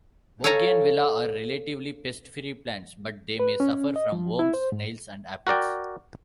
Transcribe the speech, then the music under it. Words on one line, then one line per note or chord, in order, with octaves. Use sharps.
Bougainvillea are relatively pest-free plants, but they may suffer from worms, snails and aphids.
A4 C#5 F5 G#5 A#5
B4
C#4
D#5
F3
E4
C5
G#2
F#4 A#4 D5 G5